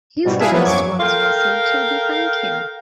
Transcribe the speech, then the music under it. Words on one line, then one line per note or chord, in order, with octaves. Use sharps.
His last words were said to be Thank you.
G#2 B2 G3
D4 E4 G#4 E5 F5 G#5
F3 F#3 A#3 B3 B4
F#2 F#3 C#6 D6 G#6
A4 A#4 F5 G5